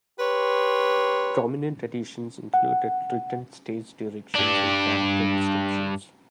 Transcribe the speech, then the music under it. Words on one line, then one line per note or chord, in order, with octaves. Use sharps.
Prominent additions included written stage directions and character descriptions.
G4 B4 C#5 C6
F#5
G2 D4